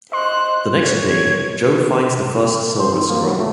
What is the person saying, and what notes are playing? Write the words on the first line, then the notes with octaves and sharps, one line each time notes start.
The next day, Joe finds the first silver scroll.
C5 D#5 C6 F#6
C#5 G#6
C5
D#3
A#3
F#3
A3